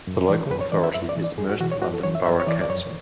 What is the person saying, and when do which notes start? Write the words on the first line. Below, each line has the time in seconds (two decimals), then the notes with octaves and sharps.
The local authority is Merton London Borough Council.
0.07 F#2
0.28 E3 D5
0.50 F#2 B4
0.61 C#5
0.72 E3 D5
0.83 E5
0.94 F#2 E5
1.09 D5
1.16 E3
1.24 D5
1.38 F#2 G#4
1.49 F#4
1.60 E3 F#4
1.72 C#5
1.82 F#2 F#4
1.93 A4
2.03 E3 C#5
2.15 E5
2.26 F#2 E5
2.40 C#5
2.47 E3 D5
2.61 D5
2.70 F#2 C#5